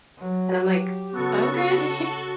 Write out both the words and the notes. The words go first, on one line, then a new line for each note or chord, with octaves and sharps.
and I'm like, "Okay.
F#3
G4
C#3 B3 F#4 A4 C#6